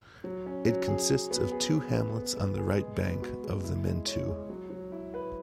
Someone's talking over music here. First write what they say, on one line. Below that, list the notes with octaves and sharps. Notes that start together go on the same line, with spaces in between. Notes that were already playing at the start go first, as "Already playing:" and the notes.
It consists of two hamlets on the right bank of the Mentue.
F#3
C#4
F#3
G#4
F#3
B3
G#4
B3
B4
B3
B3
G#4
G#3
B3
F#4
G#3
E4
G#3
C#5
G#3
F#3
F#3
E4
B4